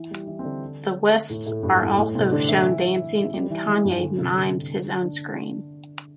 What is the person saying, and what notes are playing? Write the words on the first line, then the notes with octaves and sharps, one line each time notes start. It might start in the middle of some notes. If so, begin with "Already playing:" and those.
The Wests are also shown dancing and Kanye mimes his own scream.
Already playing: E3 E4
G3 G4
E3 E4
C4
D3 D4
A2 A3
A2 A3
G2 G3
E2 E3
A2 A3
C3 C4
D3 D4
E3 E4
G3 G4
E3 E4
E3 E4
G2 G3
D3
C3
D3
D3 D4